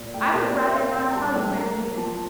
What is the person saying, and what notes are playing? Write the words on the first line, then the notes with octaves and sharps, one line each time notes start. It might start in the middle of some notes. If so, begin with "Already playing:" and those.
"I would rather not tell you my reasons."
Already playing: A#2
A3 G5
A#2 A#4
C5
A#3 D5
E5
A#3 F5
A#2 G5
A#5
G3 A5
A#1
A#3 A#5
A#3
F3 A5